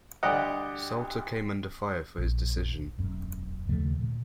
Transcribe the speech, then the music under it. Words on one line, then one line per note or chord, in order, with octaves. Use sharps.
Salter came under fire for his decision.
D2 G3 G4 D#5 F#5
A#1
E1 F#2 C#4
D#2 C#3 F3 A3
A#2